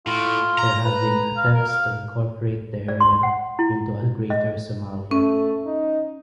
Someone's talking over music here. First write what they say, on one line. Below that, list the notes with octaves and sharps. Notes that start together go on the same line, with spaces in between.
There have been attempts to incorporate the area into a Greater Somalia.
A2 F4
A#5
B4
F5
A#4
F5
D5
C6
F#5
E4
D#5
A3 C#4
D#4